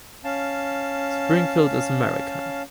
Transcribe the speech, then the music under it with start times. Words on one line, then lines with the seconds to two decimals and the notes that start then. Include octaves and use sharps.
Springfield is America.
0.24 C#4 F5 A5